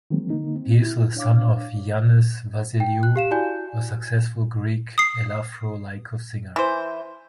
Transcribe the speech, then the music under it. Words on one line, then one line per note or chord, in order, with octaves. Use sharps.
He is the son of Yiannis Vasileiou, a successful Greek elafro-laiko singer.
D#3 F3 F#3 G#3 A#3 C4
D3 A#3 D#4
C4
E4
D4 C#5 F5 D6
G5
F#6
G4 F5 E7
E4 F#4 D5 G#5 G6
D#6 C7
E3 C5